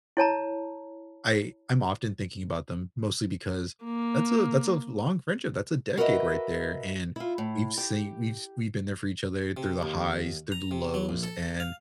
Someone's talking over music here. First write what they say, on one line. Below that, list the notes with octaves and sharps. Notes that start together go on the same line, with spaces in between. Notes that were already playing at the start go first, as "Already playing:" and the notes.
I I'm often thinking about them mostly because that's a that's a long friendship, that's a decade right there, and we've seen we've s we've been there for each other through the highs, through the lows, and
E4 C#5 A5 A#5
A#3
F#4 A#4 B4 C#5 D#5 E5
E4 F4
A2
G4
C3
D#2
A#5
C3
F#3
A#1
A4
F5